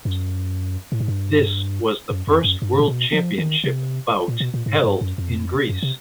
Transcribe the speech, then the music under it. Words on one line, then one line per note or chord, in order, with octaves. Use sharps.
This was the first world championship bout held in Greece.
F#2
A2
G#2
G2
F#2
F2
F#2
G2
A#2
B2
F3
D#3
C3
A#2
B2
A#2
G#2
G2
F#2
F2
F#2
C3